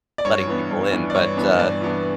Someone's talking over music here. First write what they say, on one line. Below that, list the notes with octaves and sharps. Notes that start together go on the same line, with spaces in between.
letting people in, but, uh,
D5
G2 C#5
E3 B3 D4
G2
E3 B3 D4
D5
G2 C#5
E3 B3 D4
G2 D5
E3 B3 D4